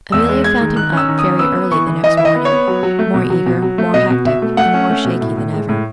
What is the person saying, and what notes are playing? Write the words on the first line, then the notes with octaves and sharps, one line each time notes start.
Amelia found him up very early the next morning, more eager, more hectic, and more shaky than ever.
E2 E6
G#3
G#3 G#6
D#3
D#3 F#6
C#4 E6
D#3
D#6
C#4
B3 E6
B3
E3 C#6
E3
E3 D#5
E4 E5
D#5
B3
C#5
B3
F#3
F#3
A3
B2
F#3
B2
F#3
A3
B2 D#5
B2
B2 E5
A3
A3 F#5
C#4
A3
B2
A2
A2
G#3
A2